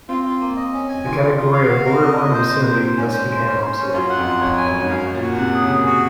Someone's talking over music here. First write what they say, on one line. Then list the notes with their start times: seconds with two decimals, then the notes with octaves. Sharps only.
The category of "borderline obscenity" thus became obsolete.
0.09 C4 F4
0.25 F4
0.41 A#3
0.57 D#5
0.73 C#4
0.89 G#5
1.05 D#3 F4
1.21 F4
1.37 F4
1.53 F5
1.69 F#4
1.85 A#4
2.01 C3 D#5
2.17 D#5
2.25 A#2
2.34 C5
2.49 A#2 C5
2.61 C3 C5
2.73 A#2
2.82 C5
2.97 G#2 C#4
3.13 C5
3.30 C5
3.46 C#4
3.62 C5
3.78 C#4
3.94 F#2 F4
4.10 F#5
4.18 F2
4.26 F4
4.41 F2 C#5
4.57 G#5
4.66 F#2
4.73 C#5
4.80 G#2
4.90 F#2 F5
5.06 C#5
5.14 A#2
5.22 F#4
5.38 C3 F#5
5.54 G#4
5.62 C#3
5.69 G#4
5.86 F#4